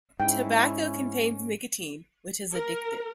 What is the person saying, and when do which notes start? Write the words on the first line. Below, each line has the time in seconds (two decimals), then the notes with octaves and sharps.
Tobacco contains nicotine, which is addictive.
0.20 G#2 C#4 E4 G5
2.53 A#4